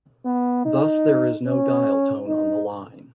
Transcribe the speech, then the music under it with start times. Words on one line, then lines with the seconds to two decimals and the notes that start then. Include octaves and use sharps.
Thus there is no dial tone on the line.
0.25 B3
0.65 D#4
1.46 C#4
2.27 D#4